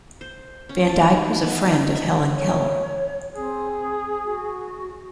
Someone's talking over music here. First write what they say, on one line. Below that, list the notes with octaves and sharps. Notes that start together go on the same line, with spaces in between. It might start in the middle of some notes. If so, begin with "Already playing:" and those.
Van Dyke was a friend of Helen Keller.
C5
C#4
A5
D#3
B3
D#4
E5
C#5
C4 G#4
F#4